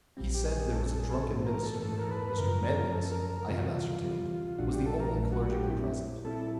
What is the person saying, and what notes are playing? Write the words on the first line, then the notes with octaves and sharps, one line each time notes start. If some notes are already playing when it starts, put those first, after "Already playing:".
"He said there was a drunken minister there, and Mr. Manlius, I have ascertained, was the only clergyman present."
A#1 A#2 G3 C4
G4
G#4
A#1 A#2 G3 C4 A4
A4
G#4
A4
G#2 E3 A3
A#4
A4
G#2 E3 A3 A4
A#4
B4
F#2 C#3 F3 A#4
F#2 C#3 F3 A4
A#4
A#4
D2 C3 E3 G3 F4
F#4
F4
D2 C3 E3 G3
A#1 A#2 F#3 A3 D4 F#4
G4
A4
A#4
A#1 A#2 F#3 A3 D4
F#4
G4
A#2 G3 C4 E4
A#2 G3 C4 E4 A4